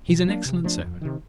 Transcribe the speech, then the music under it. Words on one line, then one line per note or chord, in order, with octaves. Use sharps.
He's an excellent servant.
B2
F#3 A#3 D4
C3
F3 A3 D4
F2
C3 D#3